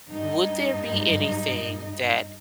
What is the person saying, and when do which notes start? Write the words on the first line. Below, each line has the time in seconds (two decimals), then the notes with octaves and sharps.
would there be anything that
0.11 G2 D#4